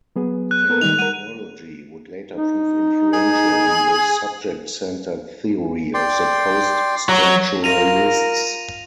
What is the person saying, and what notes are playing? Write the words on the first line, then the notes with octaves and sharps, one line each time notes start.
Phenomenology would later prove influential in the subject-centred theory of the post-structuralists.
F#3 B3 G#4
F#6
B3 A4 A#4
D#3 G3 D#4 F#6 F7
A#4 F#5 D#7
D#4
G#4
D5 G5 C6
F#3 A#5
F4 A#4 A#6 D#7 F7